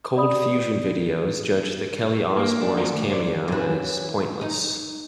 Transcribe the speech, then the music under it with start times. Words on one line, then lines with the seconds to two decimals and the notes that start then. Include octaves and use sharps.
Cold Fusion Video judged the Kelly Osbourne cameo as "pointless".
0.17 D5 B5 D#6
2.37 A#3
2.61 D4
2.77 F2 D3 C4 F4 F#4 A#4
2.92 D2
3.10 C5 D5
3.48 F#2 E3
4.41 D#4